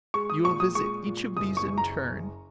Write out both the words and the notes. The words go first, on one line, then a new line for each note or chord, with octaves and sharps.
"You will visit each of these in turn."
G#3 C#6
D#6
A#2 C#6
D#6
G#3 C#6
A#2
F#1 D#6
C#6
F#1
A#5